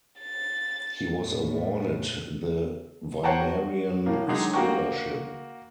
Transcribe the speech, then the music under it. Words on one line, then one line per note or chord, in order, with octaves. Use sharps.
He was awarded the Vinerian Scholarship.
A6
A2
C5 C#5 F#5 G5 A5 A#5
F#4
A2 A#3
D3 D#3 F#3 G#3 D#4
A#3 F#4 G5 A#5 C#6